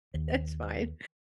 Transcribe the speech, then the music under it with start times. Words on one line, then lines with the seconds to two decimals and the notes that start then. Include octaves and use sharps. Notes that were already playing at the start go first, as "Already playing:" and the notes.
that's fine,
0.14 D#2